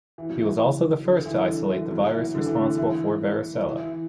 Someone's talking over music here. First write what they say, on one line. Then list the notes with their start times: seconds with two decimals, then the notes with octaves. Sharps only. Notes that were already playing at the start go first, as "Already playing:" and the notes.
He was also the first to isolate the virus responsible for varicella.
0.18 E3
0.30 F#3
0.40 E3
1.05 D3
1.26 E3
1.48 D3
1.70 E3
1.91 F#3
2.12 E3
2.34 D3
2.46 E3
2.56 D3
2.78 E3
3.64 E3
3.79 E3